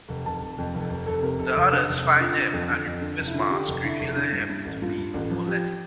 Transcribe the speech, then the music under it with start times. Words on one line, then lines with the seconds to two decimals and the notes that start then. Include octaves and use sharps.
The others find him and remove his mask, revealing him to be Moletti.
0.09 F1
0.26 F1 A5
0.41 F1
0.58 F2
0.74 F1
0.90 F1
1.06 F1 A4
1.22 C3 A#4
1.39 F1 A4
1.56 F1
1.72 D3
1.89 F1
2.04 F1
2.20 D3 F4
2.37 D3
2.53 F2
2.70 D3
2.87 F2
3.02 D3
3.18 F1
3.27 E4
3.34 D3
3.39 F4
3.51 D3 G4
3.67 F1
3.84 D3 E4
4.00 F1
4.16 D3
4.32 G2
4.49 G2
4.65 A1
4.82 G2 F4
4.98 G2
5.14 A1
5.30 F3
5.46 F3 G4